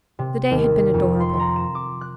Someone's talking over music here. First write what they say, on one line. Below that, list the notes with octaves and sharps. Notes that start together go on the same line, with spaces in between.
The day had been adorable.
C3
D#2
F2
C6
A#5
E7
D6
F#6